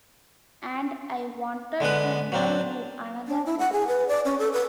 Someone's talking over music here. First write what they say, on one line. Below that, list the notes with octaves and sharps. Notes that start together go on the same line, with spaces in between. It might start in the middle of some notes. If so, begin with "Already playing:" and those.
And I wanted to buy you another drink.
D3 G#3 B3 B4
F#3 C4 D4
D4
E4
F#5
G#4
B4
D5
C#4
A4
B4